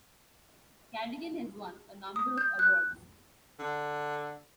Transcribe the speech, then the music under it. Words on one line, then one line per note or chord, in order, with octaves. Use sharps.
Cadigan has won a number of awards.
D#6
G6
F#6
D3